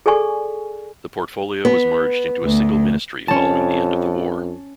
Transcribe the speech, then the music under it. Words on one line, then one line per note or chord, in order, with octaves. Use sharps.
The portfolio was merged into a single ministry following the end of the war.
G#4 A4 D5 G#5 C#6
B3
D2
F2 C#4 A5